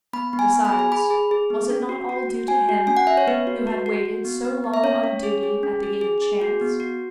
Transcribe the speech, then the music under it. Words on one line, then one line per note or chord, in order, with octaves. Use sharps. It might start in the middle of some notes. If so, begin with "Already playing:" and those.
Besides, was it not all due to him, who had waited so long on duty at the gate of chance?
B3 B5
B3
G#5
B3
B5
G#4
G#5
G#4 B5
G#4
G#4
B3
C#4
F#4
F#4
F#4
F#4 G#5
F#4
C#4 G#5
F#5
C#4 E5
C#5
B3 B4
F#4
F#4
F#4
F#4
B3
B3
B3
E5
C#4 C#5
C#4
G#4
G#4
C#4
G#4
G#4
G#4
F#4
B3
F#4